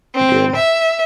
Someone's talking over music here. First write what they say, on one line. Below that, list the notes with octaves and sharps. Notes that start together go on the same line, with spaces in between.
It did,
C4
E5